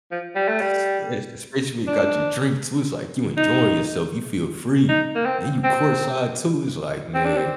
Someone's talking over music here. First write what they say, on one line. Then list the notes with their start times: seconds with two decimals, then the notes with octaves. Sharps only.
Sp especially when you got your drink too, it's, like, you enjoying yourself, you feel free, and you courtside too, it's, like, "Man"
0.11 F3
0.35 G3
0.48 A3
0.61 G3
1.87 D4
3.37 D#4
4.88 D#4
5.15 A#3
5.25 C4
5.64 C4
7.14 C4
7.25 D4
7.37 C4